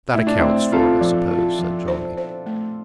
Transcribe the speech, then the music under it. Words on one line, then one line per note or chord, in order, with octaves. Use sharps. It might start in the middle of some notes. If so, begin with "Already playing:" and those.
"That accounts for it, I suppose," said Johnny.
A3 E4
D4
A3 C4 E4
C4 F4 A4
F3
F4
F3
C5
C5
A3